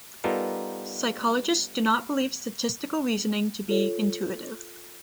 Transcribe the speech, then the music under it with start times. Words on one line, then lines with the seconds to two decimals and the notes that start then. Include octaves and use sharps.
Psychologists do not believe statistical reasoning to be intuitive.
0.24 G3 B3 D#4 F4 A4 A#4
3.68 F4 A4 C#5